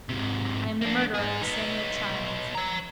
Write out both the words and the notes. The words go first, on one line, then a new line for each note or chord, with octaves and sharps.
I am the murderer of Samuel Childs.
G#2 C3
A#3 D4
D#4 G#4
B3 D#4
C#5 A#5